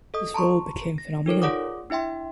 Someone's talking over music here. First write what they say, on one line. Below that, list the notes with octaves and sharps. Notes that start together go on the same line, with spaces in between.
This role became phenomenon.
A4 D#5 D#6
A5 A#5 C6 C#6
A#6
D#4 A4 A#4 C#5
F4 G#4 D5 F#5 D6 D#6
D4 E4 E5 G5 C6